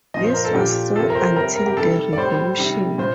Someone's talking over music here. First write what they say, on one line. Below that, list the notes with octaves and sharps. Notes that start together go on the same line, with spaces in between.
This was so until the Revolution.
A#2 F3 D#5
C5
A#4
A4
A#2 F3 G4
C3 F3 A4
A#4
C5
C3 G3 A#4
A#4
G4
C3 D#3 G3 A4
D5
A2 G3 C5
C3 D#3 G3
A#2 C5